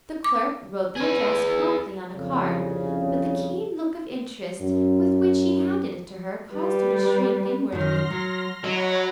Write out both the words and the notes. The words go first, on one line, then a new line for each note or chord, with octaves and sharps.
The clerk wrote the address promptly on a card, but the keen look of interest with which he handed it to her caused her to shrink inwardly.
D6
G#4 B4
C2 F2 C#3
F#2
G3 B4
F#2 D#3 C6 F6 A#6
F#3
F#3 C#5 D#5 F#5 B5